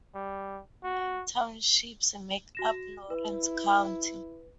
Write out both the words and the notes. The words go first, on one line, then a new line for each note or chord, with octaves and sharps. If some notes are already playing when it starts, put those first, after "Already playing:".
Nine townships make up Lawrence County.
G3
F#4
F#4 A#6 E7
E4 B4